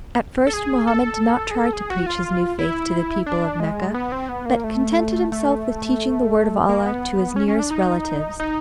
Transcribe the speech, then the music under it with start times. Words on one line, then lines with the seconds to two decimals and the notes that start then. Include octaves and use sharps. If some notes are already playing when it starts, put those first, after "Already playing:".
At first Mohammed did not try to preach his new faith to the people of Mecca, but contented himself with teaching the word of Allah to his nearest relatives.
0.47 A4
0.53 G#4
0.87 A4
1.51 G#4
1.55 A4
1.73 G#4
1.90 F#4
2.06 F4
2.59 E4
3.26 D4
3.60 G#3
3.94 B3
4.12 C4
4.29 B3
4.46 A#3
4.64 A3
5.32 A3
6.69 A#3
6.86 B3
7.36 C#4
7.48 C#4
7.59 D4
7.71 D#4
8.40 D#4